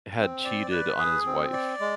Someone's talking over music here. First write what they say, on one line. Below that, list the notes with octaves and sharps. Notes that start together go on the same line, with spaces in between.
had cheated on his wife.
C4
D5
B4
G#4
C4
D5
G#3